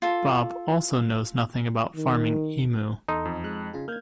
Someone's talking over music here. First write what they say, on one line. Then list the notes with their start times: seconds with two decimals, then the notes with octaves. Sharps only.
Bob also knows nothing about farming "emu".
0.02 F4 A4
1.96 D#3
3.09 E2 D#4 A4 C6
3.25 F2
3.44 G#3 F#6
3.73 C#3 F4 G#4
3.88 A#3 F6 G6 G#6